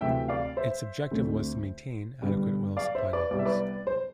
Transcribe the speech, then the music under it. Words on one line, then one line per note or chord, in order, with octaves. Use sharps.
Its objective was to maintain adequate oil supply levels.
D2 C3 E3 A3 C4 E5 G5
D5 F5
C5 E5
D2 D3 A3 C4
G2 D3 G3 B3
D5 F5
C5 E5
B4 D5
C2 C3 G3 B3 D5
E5
B4 D5
C5